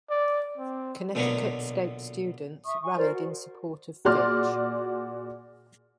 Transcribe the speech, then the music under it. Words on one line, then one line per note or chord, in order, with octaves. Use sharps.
Connecticut State students rallied in support of Fitch.
D5
C4
B1 A#2 D3 F#3 A#3 B3
E5 C#6 D#6
G#5 C#6
F4 A#4 C5 D5
F#4
A#2 F#4 G#4 D5 C6 F6